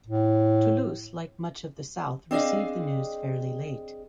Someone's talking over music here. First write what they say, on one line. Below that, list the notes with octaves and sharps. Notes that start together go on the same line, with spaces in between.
Toulouse like much of the south received the news fairly late.
A2
C4 D4 G#4 D#5 F5